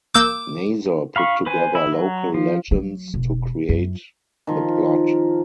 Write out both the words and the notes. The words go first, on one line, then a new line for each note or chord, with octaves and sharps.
Nazor put together local legends to create the plot.
A#3 D6 E6 G6
F5 B5 C#6
B4 C5 G#5
E4
F#3
F3
F#3
E1
F#2
D#3 F3